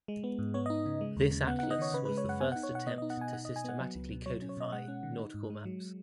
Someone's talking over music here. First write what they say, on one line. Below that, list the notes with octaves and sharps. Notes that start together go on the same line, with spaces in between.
This atlas was the first attempt to systematically codify nautical maps.
G#3
B3
G#2
B3 C#5
D#5
D#4
C#3
G#3
D#2
C#3
B3 F#5
F#5
D#4
D#5
D#3 C#5
C#3 B4
B4
G#3
C#5
F#2 F#5
B3 G#5
F#5
D#4
C#5
B2 F#5
B3 D#5
D#5
D#4
F#5
B2 G#5
D#4 F#5
D#5
B2
G#5
B3 F#5
F#3
C#2
B2
F#3 C#5
C#4
C#5
B2 D#5
G#3 F#5
C#4
D#3
D#4
G#2
G#3
F#3